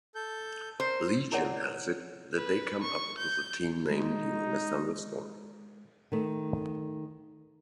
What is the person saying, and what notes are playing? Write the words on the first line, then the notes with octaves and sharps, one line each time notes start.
Legend has it that they came up with the team name during a thunderstorm.
A4 G6
A#4 C5
E4 G#4 A#4 C#5 D5 F#5
B4
C#6
G6
G#3 D#4
D#3 A3